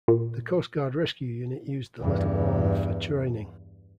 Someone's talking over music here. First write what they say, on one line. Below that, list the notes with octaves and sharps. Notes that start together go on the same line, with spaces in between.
The Coast Guard Rescue Unit use the Little Orme for training.
A#2
E2 G2